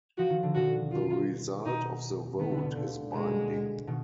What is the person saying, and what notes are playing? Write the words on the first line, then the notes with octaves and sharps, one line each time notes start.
The result of the vote is binding.
F3 F#4
D#3
D3
B2 D#3 F#4
F4
B2 D#4
D#3 B3
D3
B2
A#2 D3
B2 G#3
B2 D#3